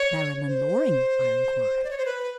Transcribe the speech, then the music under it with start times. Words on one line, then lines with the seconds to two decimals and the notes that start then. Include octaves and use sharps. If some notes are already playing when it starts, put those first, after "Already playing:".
"Marilyn Loring?" I inquired.
Already playing: C#5
0.47 C5
1.84 D5
1.90 C#5
1.98 C5
2.05 B4